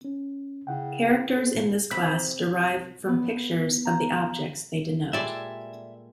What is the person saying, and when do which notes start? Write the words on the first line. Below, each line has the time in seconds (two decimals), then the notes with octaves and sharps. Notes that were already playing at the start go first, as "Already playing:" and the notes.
Characters in this class derive from pictures of the objects they denote.
0.05 C#4
0.67 C#3 E4 F#5 G5
1.37 A4 C5
1.55 A2 E4
1.91 C3 E5 B5
3.08 B3
3.85 A#5
5.13 A#2 G3 G#3 A4 D5 E5 G#5